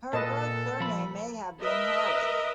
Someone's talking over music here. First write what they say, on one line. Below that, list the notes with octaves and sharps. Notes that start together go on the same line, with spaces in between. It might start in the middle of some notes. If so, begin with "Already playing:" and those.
Her birth surname may have been Harris.
A#2 A4 B4 D#5 A5
F3 B5
A#4 B4 D#5 E5